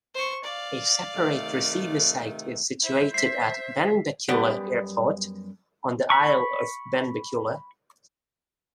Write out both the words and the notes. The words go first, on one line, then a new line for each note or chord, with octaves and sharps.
A separate receiver site is situated at Benbecula Airport, on the Isle of Benbecula.
C5 C#6
D5 F5
C3 D#3 A3
E4 C5 E5
E5 B6 C7
F#2 G3 B3 G4 D5 F#5
B5 C#6